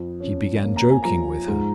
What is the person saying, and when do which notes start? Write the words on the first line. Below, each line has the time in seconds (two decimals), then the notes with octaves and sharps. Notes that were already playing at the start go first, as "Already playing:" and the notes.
He began joking with her.
Already playing: F2
0.20 C#4
0.63 A#3
0.76 A#5
0.90 G#5
1.03 F3 A#5
1.48 G#2